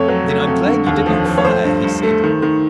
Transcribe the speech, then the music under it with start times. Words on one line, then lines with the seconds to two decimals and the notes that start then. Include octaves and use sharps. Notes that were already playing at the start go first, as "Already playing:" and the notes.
"Then I'm glad you did not fire!" he said.
Already playing: F2 A3 C#5
0.08 F#3
0.28 A3
0.47 F2
0.66 D3
0.86 D#2
1.06 F3
1.26 F3
1.38 C#5
1.45 A3 C5
1.65 G2
1.84 G2
2.03 A3
2.24 D#3
2.42 D#3